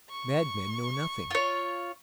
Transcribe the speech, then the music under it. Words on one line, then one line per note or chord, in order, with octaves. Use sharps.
Madmen know nothing.
C#6
F4 C#5